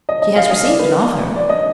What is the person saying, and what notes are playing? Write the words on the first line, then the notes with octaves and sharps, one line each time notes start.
She has received an offer.
D#5
D#5
F5
D#5
D5
B4
D5
D#5